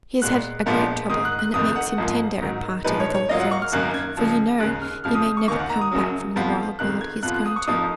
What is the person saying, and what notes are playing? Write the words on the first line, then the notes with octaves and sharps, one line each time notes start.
He has had a great trouble, and it makes him tender at parting with old friends; for you know he may never come back from the wild world he is going to.'
A#2 G#3 B3 F#6
A#1 A#2 F3 G#3 B3
G#2 D#3 G#3 D#6
F#6
F#6
F1 F2 D#3 D#6
F#5
G#1 G#2 F3 A#3 F4
G#2 D#3 F#3
A#1 A#2 F3 G#3 D#4 B4
C#5
C#5
G#2 F#3 A#3 F4 D#5
F#5
C#6
F6
G#1 F#2 D#3 A#3 F#6
G#6
C#2 C#3 F3
D#2 C#3 G#3 F#6
F6
F2 C#3 F3 G#3 F6
D#6
C#6
D#2 D#3 A#3 C#6
F#5
A#5
D#6
F#1 F#2 C#3 F#3
F2 F3 B3 F4
F2 D#3 G#3 F#6
G#6
F2 F3 B3 F4 F#6
F#6
D#6
C#6
F2 F3 A#3 D#4 D#6